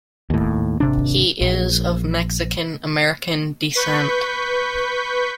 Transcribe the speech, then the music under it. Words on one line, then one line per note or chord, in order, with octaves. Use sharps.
He is of Mexican-American descent.
D#2 A2
G#1 C3 D4
A#1
B4 C#6 G6 B6